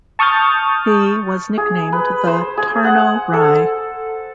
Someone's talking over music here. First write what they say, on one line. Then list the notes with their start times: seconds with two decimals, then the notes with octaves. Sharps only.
He was nicknamed the "Tarno Rye".
0.19 A5 C#6 D#6 F6 G6 A6
1.58 G#4
1.92 B4
2.27 C5
2.57 G#4
2.85 F#5
3.33 A4